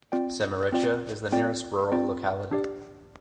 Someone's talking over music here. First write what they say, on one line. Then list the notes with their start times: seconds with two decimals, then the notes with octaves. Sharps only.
Semirechye is the nearest rural locality.
0.12 C4 F4 D5 G5
0.72 C4 F4 D5 G5
1.32 C4 F4 D5 G5
1.92 C4 F4 D5 G5
2.51 D4 G4 D5